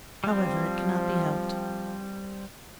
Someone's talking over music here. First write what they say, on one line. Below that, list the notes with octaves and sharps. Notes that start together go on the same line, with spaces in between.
However, it cannot be helped.
F3 G3 C4